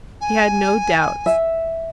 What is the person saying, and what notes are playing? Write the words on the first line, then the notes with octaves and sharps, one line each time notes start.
He had no doubts.
G#5
E5